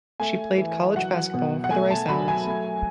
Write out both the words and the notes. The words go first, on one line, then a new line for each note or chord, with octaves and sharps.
She played college basketball for the Rice Owls.
A3 G#5
E3
F#3 F#5
B2
F#5
A3 G#5
A5
F#3 B5
G#5
A3